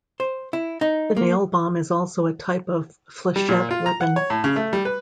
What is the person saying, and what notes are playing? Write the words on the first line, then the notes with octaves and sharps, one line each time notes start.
The nail bomb is also a type of flechette weapon.
C5
E4
D#4
A#3
G3
A#2
F4
A#5
F#5
C#5
A2
C#3
A3
G3
B4